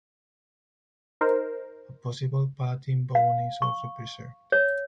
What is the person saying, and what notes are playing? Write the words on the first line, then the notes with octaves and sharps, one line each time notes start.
A possible palatine bone is also preserved.
D#4 A#4 C5
F5
C#6
C#5